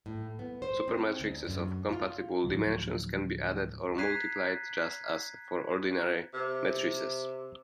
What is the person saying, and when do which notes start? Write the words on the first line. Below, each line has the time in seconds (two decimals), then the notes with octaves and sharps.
Supermatrices of compatible dimensions can be added or multiplied just as for ordinary matrices.
0.06 A2
0.39 B3
0.62 C5
0.88 C4
1.20 D2
1.46 F#2
1.92 F4
2.44 D2 A2 F3 F#3
3.98 A#5 F#6 G#6 B6 C7 D#7
6.34 C3